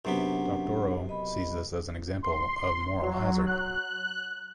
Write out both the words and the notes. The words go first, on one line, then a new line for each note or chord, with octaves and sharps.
Doctorow sees this as an example of moral hazard.
F#2 C3 B3 C#4 D4 F#5
D#5 B5
C6
F#3
F#6